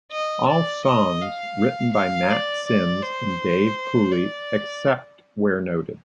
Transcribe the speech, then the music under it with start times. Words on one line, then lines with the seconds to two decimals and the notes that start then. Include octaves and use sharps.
All songs written by Matt Sims and Dave Cooley, except where noted.
0.11 D#5
0.48 D5
0.85 D#5
1.21 F5
1.93 F5
2.30 D5
2.66 D5
3.02 C5
4.12 D5